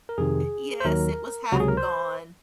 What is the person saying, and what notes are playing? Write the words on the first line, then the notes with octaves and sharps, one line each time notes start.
Yes. It was half gone.
A#4
F2 C3 D#3 G#4
C5
D#2 D#3 F#3 A#4
C#2 C3 F#3 F#4
G#4
A#4
C5